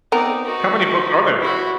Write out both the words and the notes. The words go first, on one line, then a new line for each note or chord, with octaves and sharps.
How many books are there?
B3 C4 D#4 A#4 D5
D#4 F#4
E4 F#4